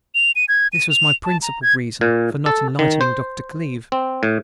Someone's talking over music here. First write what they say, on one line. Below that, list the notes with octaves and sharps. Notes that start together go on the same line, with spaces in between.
This was my principal reason for not enlightening Dr. Cleeve.
F7
D#7
G#6
D#7
F7
A5
A#5
G#6
A#2
A4
D#3
C5
C4
A2